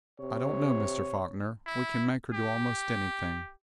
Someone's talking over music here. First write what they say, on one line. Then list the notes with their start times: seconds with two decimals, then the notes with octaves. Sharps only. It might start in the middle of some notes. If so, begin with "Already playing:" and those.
"I don't know, Mr. Faulkner, we can make her do almost anything."
0.20 C3 C#5
1.66 E4
2.33 G4